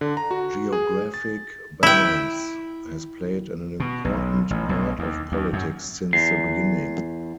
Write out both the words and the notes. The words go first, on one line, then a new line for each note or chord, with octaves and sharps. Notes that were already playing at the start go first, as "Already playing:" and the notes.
Geographic balance has played an important part of politics since the beginning.
D3
A#5
F#4
G#4
A6
E4 G5
B2
B1
A1
B1
D#2
D#2
F#2
E2 C7